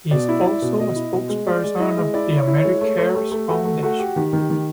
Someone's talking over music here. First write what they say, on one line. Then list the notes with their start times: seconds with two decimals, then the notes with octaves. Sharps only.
He is also a spokesperson of the AmeriCares Foundation.
0.11 B2 D5
0.29 E4
0.46 E4
0.62 B2
0.79 B2 D#5
0.96 E4
1.13 B2
1.29 G#3
1.46 G#3 D5
1.64 G#3
1.80 E4 D#5
1.97 G#3
2.14 E4 D5
2.31 E4
2.36 C#5
2.47 E4
2.58 C#5
2.64 G#3
2.81 A3 C#5
2.98 A3
3.14 A3 G4
3.32 A3
3.48 A3 F#4
3.65 A3
3.83 A3 F#4
3.99 G4
4.16 D#3 G4
4.33 D#3
4.38 G4
4.50 D#3